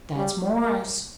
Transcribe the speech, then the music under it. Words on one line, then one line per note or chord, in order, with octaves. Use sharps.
That's Morris.
G3
A#3